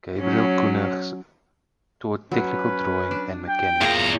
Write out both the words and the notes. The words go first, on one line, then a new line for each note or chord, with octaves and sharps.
Gabriel Koenigs taught technical drawing and mechanics.
F#3 C#4
F#3 C#4 B4
D4
G5
E2 A#3 F4 G#4 C#5 A#5